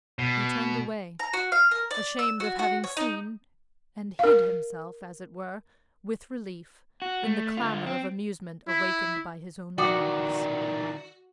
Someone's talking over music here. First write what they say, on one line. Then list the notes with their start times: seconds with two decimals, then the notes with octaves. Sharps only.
He turned away, ashamed of having seen, and hid himself, as it were, with relief, in the clamor of amusement awakened by his own remarks.
0.19 B2
1.19 A#5
1.33 F#4
1.52 F5
1.71 A#4
1.91 D5
2.19 E6
2.40 F#4
2.59 F#4
2.84 C#5
2.97 D#4
4.19 A#4 F5
7.02 F#4
7.24 A3
7.57 D3 F4
7.86 C4
8.68 E4
9.78 D#3 E3 F#4 D5 G5 D6 D#6